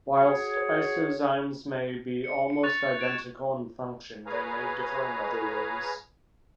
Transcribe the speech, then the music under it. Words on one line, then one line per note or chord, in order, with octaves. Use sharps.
Whilst isozymes may be almost identical in function, they may differ in other ways.
F#4 G#4 C#5
C#7
C#7
C#6 F#6 A6 F7
G#6 D7 E7
G#4 B4 C#5 F5 G#5 A#5